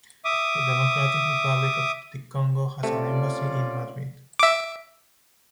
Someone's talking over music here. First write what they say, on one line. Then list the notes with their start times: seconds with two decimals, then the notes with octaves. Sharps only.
The Democratic Republic of the Congo has an embassy in Madrid.
0.25 E5 D6 D#6
2.83 C3 A3 C#4 F4 D5
4.39 E5 D6